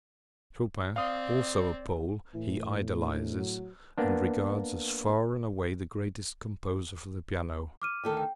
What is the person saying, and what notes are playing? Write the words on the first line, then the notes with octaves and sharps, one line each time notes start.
Chopin, also a Pole, he idolizes and regards as far and away the greatest composer for the piano.
C4 D5 F5 D#6
A2 E3
D2
F#3
A#3 B3 D4
D6 F6 D#7
D2 D#3 A4
G5